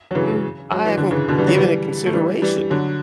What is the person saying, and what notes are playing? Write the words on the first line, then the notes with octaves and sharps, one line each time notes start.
Mm, I haven't given it consideration,
F#3
C#3 E3
F#3
E3
D3
C#3 E3
B2 D3
E3 G3
D3 F#3
E3 G3
A3
E3 G3
E3 G3
D3 F#3